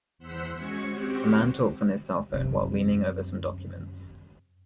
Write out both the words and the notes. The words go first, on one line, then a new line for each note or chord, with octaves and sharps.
A man talks on his cellphone while leaning over some documents.
E2 C5 F#5 E6 B6
G#3 C#4 F#4 G#6 C#7
C4 F#4 G4
F#2 C3